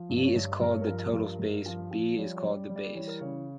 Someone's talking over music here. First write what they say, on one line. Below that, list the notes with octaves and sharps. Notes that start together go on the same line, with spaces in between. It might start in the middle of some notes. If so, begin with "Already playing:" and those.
"E" is called the total space, "B" is called the base.
Already playing: F3
G2
C#5
G2
G2 A#4
C#5
A#4
F3
G2
G2
F3
F3
G3 C#5
C#5
G3
D5
G3
D5
E3 C#5
A#4
C#3 C#5